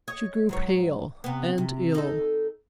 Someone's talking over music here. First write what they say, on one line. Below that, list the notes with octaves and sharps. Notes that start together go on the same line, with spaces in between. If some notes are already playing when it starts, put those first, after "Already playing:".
She grew pale and ill.
C#5 D#5
G#2 F#3 C#5
C3 B3
C3
D#4 A4